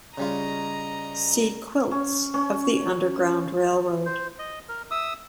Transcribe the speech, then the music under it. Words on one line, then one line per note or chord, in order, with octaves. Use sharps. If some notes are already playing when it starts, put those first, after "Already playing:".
See Quilts of the Underground Railroad.
C#3 G3 F4 D#5 A#5
C#4
C#4
C5
D#5
A#4
E5 D#6 E6